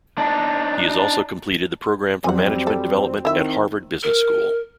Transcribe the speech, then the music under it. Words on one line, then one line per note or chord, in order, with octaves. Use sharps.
He has also completed the Program for Management Development at Harvard Business School.
D4 D#4
F2 E3 F#3 G3 C4 F#5 G#5
A4
D#3 E4 E5
A#4